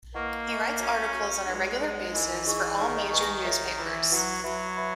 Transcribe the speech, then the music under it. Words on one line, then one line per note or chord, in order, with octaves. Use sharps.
He writes article's on regular basis for all major News Paper's.
A#3 E4 B4 D#5 F#5 C#6
A#4 D#5 G#5 C#6
C#4 F#4 C#5 E5 A#5
F#4 A#4 C#5
G#3 D#4 F#4 B4
D#4 G#4 D#5 F#5 A#5
E3 D#4 A#4 D#5 G#5
D#4 G#4 D#5 G#5 C#6
D#3 D#4 G#4 C#5 F#5 C#6
B4 D#5 G#5 C#6
A#4 C#5 E5
E3 B4 E5 A#5
F#3 E4 B4 F#5 A#5
F#3 B4 E5 B5
B4 E5 B5